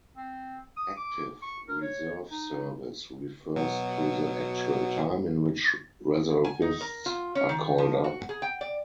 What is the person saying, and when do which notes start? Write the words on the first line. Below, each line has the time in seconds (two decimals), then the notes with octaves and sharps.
Active reserve service refers to the actual time in which reservists are called up.
0.17 C4
0.76 D#6
0.97 D6
1.42 C#6
1.68 A#4
1.81 C#5
2.31 D#4
3.56 B2 F#3
6.44 G#5
6.62 D#4
6.81 A#4
7.06 F4
7.35 C#4
7.49 D#3
7.78 F3
8.04 F#4
8.29 G#4
8.42 G5
8.61 D5